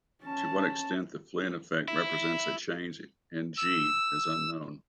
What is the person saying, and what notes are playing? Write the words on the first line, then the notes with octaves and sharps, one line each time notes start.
To what extent the Flynn effect represents a change in "g" is unknown.
C#4 A5
E4
E6